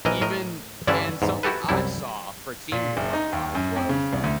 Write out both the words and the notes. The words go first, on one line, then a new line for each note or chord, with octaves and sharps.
Even and something I saw for teamwork wise was,
A#1 E3 A#4 D#5
A2 A#4 D#5
G2 D3 E3 C#4 D5 E5
E2 G#2
E4 F#4 G4 A4 B4
C2 F#2 G3 E4
A#2
F#1
D#4
D#2
F#2
F2
C#3
C2
D2